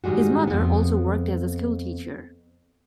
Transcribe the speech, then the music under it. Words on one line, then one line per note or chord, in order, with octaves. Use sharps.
His mother also worked as a schoolteacher.
G#2 D#3 G3 G#3 F#4
F2 B3